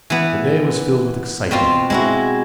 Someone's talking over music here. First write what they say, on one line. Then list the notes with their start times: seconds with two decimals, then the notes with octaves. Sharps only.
The day was filled with excitement for Harry.
0.10 E3 B3
1.51 B2 C4 F4
1.90 G#3 E4 F#4